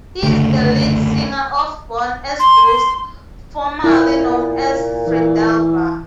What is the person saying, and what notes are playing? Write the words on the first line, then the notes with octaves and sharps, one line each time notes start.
He is the lead singer of Born As Ghosts, formerly known as Fredalba.
F#1 D2 C#3 A3
C6
A#2 E4
E3